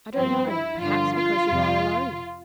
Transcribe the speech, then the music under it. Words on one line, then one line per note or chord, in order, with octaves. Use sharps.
"I don't know; perhaps because you are alone."
G2 F3 C4
E4
G2 D3 F3 F4
F4
F2 C3 F3